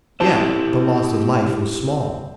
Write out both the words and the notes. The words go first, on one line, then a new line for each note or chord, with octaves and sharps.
Yet the loss of life was small.
C4 E4 G4 A5